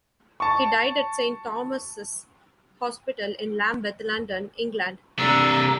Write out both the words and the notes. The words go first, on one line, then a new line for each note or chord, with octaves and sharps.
He died at Saint Thomas's Hospital in Lambeth, London, England.
A5 C#6
C3 D4 A#5 E6